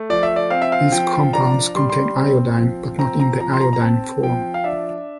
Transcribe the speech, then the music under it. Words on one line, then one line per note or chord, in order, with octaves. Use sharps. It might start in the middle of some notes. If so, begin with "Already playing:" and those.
These compounds contain iodine, but not in the iodide form.
Already playing: A3
F3 D5
E5
D5
C4 F5
E5
F5
F3 G5
D4 A#5
G3 C6
C6
C4
F3
C4 A#5
A#5
F3 A#5
C6
A#5
A#5
C4 A5
F3 G5
F5
D4 E5